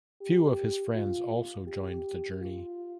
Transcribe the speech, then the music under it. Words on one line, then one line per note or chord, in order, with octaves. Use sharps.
Few of his friends also joined the journey.
G4
F4
G4
F4